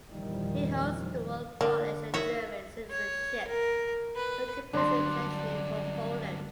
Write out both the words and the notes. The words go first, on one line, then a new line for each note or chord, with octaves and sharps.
He holds dual Polish and German citizenship but competes internationally for Poland.
E2 G2 A#2 D#3 F3 G3
D3 A#3
D#3 F#4 C#5 E5
C#5
A#4
B4
D2 G2 F#3 D4 A5 C6